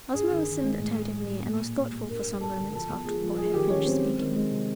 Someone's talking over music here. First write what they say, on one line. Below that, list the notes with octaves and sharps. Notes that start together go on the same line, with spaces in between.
Ozma listened attentively and was thoughtful for some moments after the boy had finished speaking.
G2 G#4
D#3
D#3
G#3
A2
A3
F#3
A2
A#2
A#2
G3
G3
G2 A#4
F#3
F#3 A4
D3
F3 A4
E2
F3 G#4
F3
F#3 G#4
D#3 G4
D#3 C#4
F#3 C4
G#3
D#3
G#3
C3